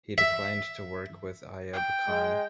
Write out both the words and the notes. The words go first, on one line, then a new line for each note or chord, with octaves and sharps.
He declined to work with Ayub Khan.
E5
G5
G#3